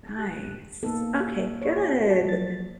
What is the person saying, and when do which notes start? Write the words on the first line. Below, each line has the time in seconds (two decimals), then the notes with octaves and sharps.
Nice, okay, good, th
0.18 G4 F#6
0.83 A#3 B3 D#4 A4
1.62 C#5
2.07 F#4 A5
2.25 F3 F#3 A6